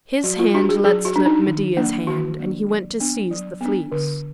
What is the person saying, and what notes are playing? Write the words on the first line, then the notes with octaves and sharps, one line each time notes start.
His hand let slip Medea's hand and he went to seize the Fleece.
F#3 F#4
F4
D4 F#4
G#4
F#3 G#4
F#4
D4
D#4
D#3
F#3 A#3 D4
D#3 F#4
F#3 A#3 D4
F#3
B3 D4
F#3
B3 D4
D3